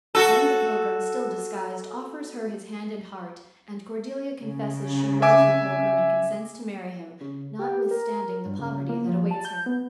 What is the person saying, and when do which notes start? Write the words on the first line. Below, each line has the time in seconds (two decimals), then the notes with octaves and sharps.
Then the pilgrim, still disguised, offers her his hand and heart and Cordelia confesses she loves the pilgrim and consents to marry him, notwithstanding the poverty that awaits her.
0.15 F#4 A4
4.41 C#3
5.22 E5 G#5 D6
7.21 C#3
7.59 G4
7.91 A#4
8.45 G2
8.59 C#3
8.89 A#3
9.09 F3
9.31 A5
9.45 G6
9.66 B3